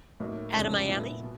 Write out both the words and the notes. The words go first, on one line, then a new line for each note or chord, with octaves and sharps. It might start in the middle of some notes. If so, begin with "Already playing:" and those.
Outta Miami?
A2 F#3 A#3 D#4
F1 F2 C#3 F3 G#3
A#2 F#3 B3 E4
B2